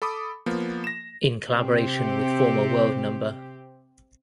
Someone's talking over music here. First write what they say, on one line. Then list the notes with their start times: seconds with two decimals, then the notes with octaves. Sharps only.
In collaboration with former world no.
0.02 A4 B5 D6 D#6
0.46 F3 A#3 B3
0.84 A#6 E7
1.49 C3 C4 G4